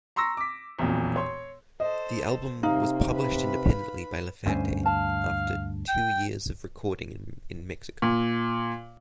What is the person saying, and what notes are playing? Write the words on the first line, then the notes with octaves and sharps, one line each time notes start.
The album was publish independently by Laferte after two years of recording in Mexico.
A#5 C6 C#6 E6 A#6
D6 B6
E1 B1 F2 A#2
C#5 C6
A4 C5 D#5
C3 A#3 D#4 F5
B4 B5
D2 G2 C#4 C5 G#5
F5 A5
G5
A#2